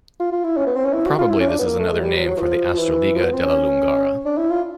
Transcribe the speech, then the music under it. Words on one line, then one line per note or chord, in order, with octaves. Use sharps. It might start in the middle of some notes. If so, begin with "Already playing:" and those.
Probably this is another name for the 'astroliga della Lungara'.
F4
F4
E4
C#4
B3
C4
C#4
E4
F#4
F4
E4
C#4
D4
B3
A#3
A3
G#3
F#3
G3
F#3
F3
F#3
E3
F3
F3
E3
F3
B3
C4
C#4
D4
E4
F4